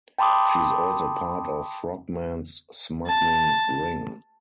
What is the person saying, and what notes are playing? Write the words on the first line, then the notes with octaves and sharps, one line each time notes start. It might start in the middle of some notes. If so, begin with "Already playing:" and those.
She is also part of Frogman's smuggling ring.
G5 A5 B5 C6 D6 D#6
A5